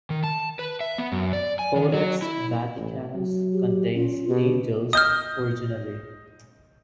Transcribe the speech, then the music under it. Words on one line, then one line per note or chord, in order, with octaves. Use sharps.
Codex Vaticanus contains "angels" originally.
D#3
A5
B4
E5
B3
F#2
D5
G#5
D#3
F#3
E4
A1
F#3
G4
C#4 F4
B2 G4
D#5 D#6 F6 G6